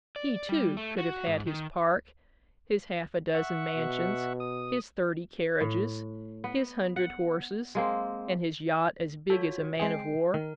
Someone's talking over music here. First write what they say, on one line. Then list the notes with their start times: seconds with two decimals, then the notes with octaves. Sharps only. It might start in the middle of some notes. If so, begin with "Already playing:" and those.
He, too, could have had his park, his half a dozen mansions, his thirty carriages, his hundred horses and his yacht as big as a man-of-war.
0.16 D5
0.49 G3
0.77 A3
0.98 F#4
1.27 G#2
1.47 D#3
3.34 E5 F#5 C#6
3.76 B2
4.40 D#6
5.61 A2
6.44 B3
6.96 F#5
7.75 G#3 A#3 C4
9.30 F4 F#4 A4 C#5
9.80 G#3 C4 G#4 G5 C7
10.34 D#3 A#4